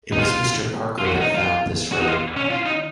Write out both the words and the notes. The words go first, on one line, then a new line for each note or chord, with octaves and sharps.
It was Mr. Parker that found this road.
D#4
F4
F4
F#4
D#4
F4
F#4
D#4
F4
C#4
F4
D#4